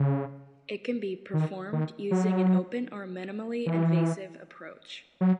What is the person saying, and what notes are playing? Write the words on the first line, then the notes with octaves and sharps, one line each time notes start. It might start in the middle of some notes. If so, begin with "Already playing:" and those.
It can be performed using an open or minimally invasive approach.
Already playing: C#3
D#3
D#3
F#3
E3
F#3